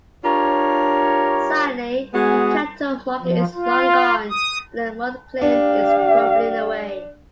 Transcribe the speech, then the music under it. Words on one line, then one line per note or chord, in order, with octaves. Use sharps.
Sadly, the cattle market is long gone and the malt kiln is crumbling away.
D4 F4 G4 A#4 C#5
G#3 B3 F#4 G#4
F3
F4
D#6
D4 G4 F5